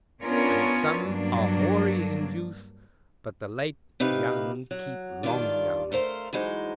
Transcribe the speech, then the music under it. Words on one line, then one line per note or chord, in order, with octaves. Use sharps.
And some are hoary in youth, but the late young keep long young.
B3 C#4 D4 F4 A#4 C#5
G2 F#3 A#3 D4
C3 D#4 G4 B4 F5
F#3
G2 D#3 D4 F4 D5
A3 A#4 C5 F5
E3 F#3 G#3 D#4 C5